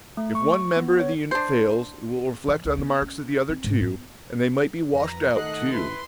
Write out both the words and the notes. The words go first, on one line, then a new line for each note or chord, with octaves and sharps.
If one member of the unit fails, it will reflect on the marks of the other two and they might be washed out too.
A3
C#6
B3
C#5
D4 C5
E3
D2
B3
C#4
C4
G#2
B3
F2 B4 A#5
D#3 A3 D#5 F#5 F#6 C7
E4 B4 C6